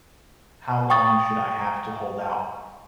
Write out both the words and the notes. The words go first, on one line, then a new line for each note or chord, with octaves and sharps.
How long should I have to hold out?
G5 C#6 D#6 A6